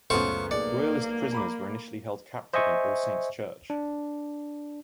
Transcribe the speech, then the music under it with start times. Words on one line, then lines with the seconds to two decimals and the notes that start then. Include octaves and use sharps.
Royalist prisoners were initially held captive in All Saints Church.
0.10 C#2 F#2 A3 B3 C5 F5 C#6
0.51 B1 A#3 G#4 D5 C#7
1.32 A#5 B5 D6
2.54 C5 D#5 E5 G#5 C#6
3.70 D4